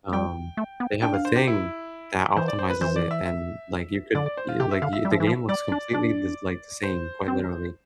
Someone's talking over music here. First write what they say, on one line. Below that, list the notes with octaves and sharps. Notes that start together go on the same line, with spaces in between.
um, they have a thing that optimizes it, and, like, you could, y like, y the game looks completely just like, the same, quite literally,
G3 G5
A3
B3
D4 G5
F5
C5
G4
E4
E3 C5
D5
C5
B4
E3 C5
D5
E5
E5
D3 D5
D5
C5
F4
C3 G4
E5
D3 F5
E5
G3
F3
E3
F3
G3 D5
D4
D4 D5
C5
C4